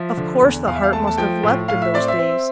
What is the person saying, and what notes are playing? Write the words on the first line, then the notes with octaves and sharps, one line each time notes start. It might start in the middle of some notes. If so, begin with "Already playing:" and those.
Of course, the heart must have leaped in those days.
Already playing: F3 E5
D3
E2
E2 F5
E5
F5
A3 A5
A5
F3 G5
A2
A2 F5
E5
C4 D5
E5
C4